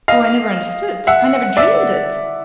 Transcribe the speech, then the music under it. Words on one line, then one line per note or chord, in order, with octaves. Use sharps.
Oh, I never understood--I never dreamed it!
D#5 F5
E5 F#5
D5 E5